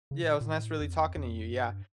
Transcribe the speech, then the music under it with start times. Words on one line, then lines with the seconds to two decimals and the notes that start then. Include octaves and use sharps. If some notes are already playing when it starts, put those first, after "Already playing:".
Yeah, it was nice really talking to you, yeah.
0.11 C#3
0.23 A2
0.29 A#2
0.41 A#2
0.46 A2
0.81 F2
1.16 F2
1.51 G2